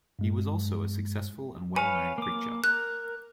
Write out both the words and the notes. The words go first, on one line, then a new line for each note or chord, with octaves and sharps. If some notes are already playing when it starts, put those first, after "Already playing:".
He was also a successful and well known preacher.
G2 G#3
B4 C#5 F5 G#5
A#3 D6
A#4 F#6